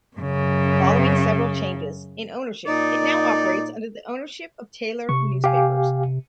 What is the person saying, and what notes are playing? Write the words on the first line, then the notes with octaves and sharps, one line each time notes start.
Following several changes in ownership, it now operates under the ownership of Taylor Newspapers.
F#2 C#3
A#2 D#4 D5
C3 C#6
G4 F5 G#5